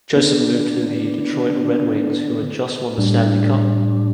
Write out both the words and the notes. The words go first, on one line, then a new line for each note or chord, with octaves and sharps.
Joseph moved to the Detroit Red Wings, who had just won the Stanley Cup.
D3 B3 D4
A2 G3 D4